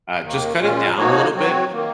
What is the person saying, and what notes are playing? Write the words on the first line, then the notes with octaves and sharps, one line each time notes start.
Uh, just cut it down a little bit,
D#2 D#3 A#3
A#2 G#3 C#4 F4
F3 A#3 D#4 F#4 C#5
F#3 C4 F#4 C#5
D#3 A#3